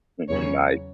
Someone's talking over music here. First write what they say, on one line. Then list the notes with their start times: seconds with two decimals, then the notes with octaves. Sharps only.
Mhm, ni
0.29 E2 C#3 F#3 C#5